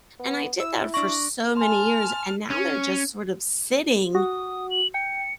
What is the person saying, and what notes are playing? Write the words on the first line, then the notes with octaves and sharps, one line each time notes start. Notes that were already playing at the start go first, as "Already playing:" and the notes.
and I did that for so many years, and now they're just sort of sitting,
B3
E4 E6
D4 C#6 D6 A#6 F#7
G#5 A5 C6 F6
C#4
F#4 D#6
F#7
G5 C#7